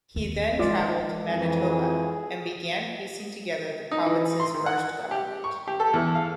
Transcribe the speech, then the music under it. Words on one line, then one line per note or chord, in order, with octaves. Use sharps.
He then travelled to Manitoba, and began piecing together the province's first government.
D#2 C4
D#3 F3 G#3 F4 D5
F2 E3 G#4
D#4
E3
C6
D#3
F#5
G4
C#6
G4
A4
E2
F5